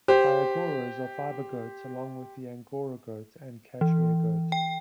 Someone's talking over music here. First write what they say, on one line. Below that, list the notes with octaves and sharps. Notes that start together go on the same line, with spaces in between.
Pygoras are fiber goats along with the Angora goat and Cashmere goat.
G4 C5
E3
G5